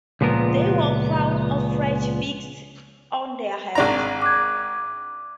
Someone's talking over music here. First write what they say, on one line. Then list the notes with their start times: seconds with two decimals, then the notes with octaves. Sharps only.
They wore crowns of fresh figs on their heads.
0.21 C#2 A#2 F3 B3 A#4
3.75 G#1 D4 A#5
4.22 D6 F#6 G#6